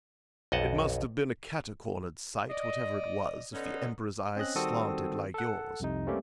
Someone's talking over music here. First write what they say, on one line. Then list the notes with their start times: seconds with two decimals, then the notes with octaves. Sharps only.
"It must have been a catacornered sight, whatever it was, if the Emperor's eyes slanted like yours."
0.52 B1 F2 D#5 F#5 A5
2.50 D5 D#5
3.53 D3 B3 C#4 D#4
4.36 C4 C#4 D#5 F#6
4.55 D#3 G3 C4 F#4 A4 D#6
5.34 A4 F#5
5.80 C2 F2 C3 D#4
6.07 G3 A3 A#3 C4 C#4 G4